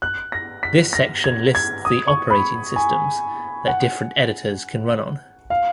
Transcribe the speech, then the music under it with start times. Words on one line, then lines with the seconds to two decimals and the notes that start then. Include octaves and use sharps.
This section lists the operating systems that different editors can run on.
0.02 F#6
0.32 A#6
0.63 B6
0.93 A#6
1.24 G#6
1.55 G#6
1.85 D#6
2.08 C#6
2.30 B5
2.76 G#5
3.68 F#5
5.50 F5